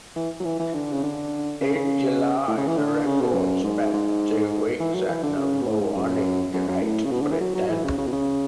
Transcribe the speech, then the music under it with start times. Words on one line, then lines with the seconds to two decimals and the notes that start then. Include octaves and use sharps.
In July the record spent two weeks at number one in Great Britain.
0.16 E3
0.40 F#3
0.45 E3
0.59 E3
0.74 D3
0.92 C#3
1.03 D3
1.61 C#3
1.75 C#3
2.48 A2
2.57 C#3
2.67 E3
2.77 D3
3.06 C#3
3.21 B2
3.34 F#2
3.64 G#2
3.93 G#2
4.80 E3
4.94 F#3
5.08 E3
5.23 D3
5.37 C#3
5.62 B2
5.66 A2
5.81 G#2
5.95 F#2
6.53 F#2
6.68 F#2
6.82 A2
7.05 C#3
7.11 B2
7.21 D3
7.30 E3
7.40 F#3
7.55 F#3
7.69 E3
7.84 C#3
7.98 C#3
8.07 B2
8.12 C#3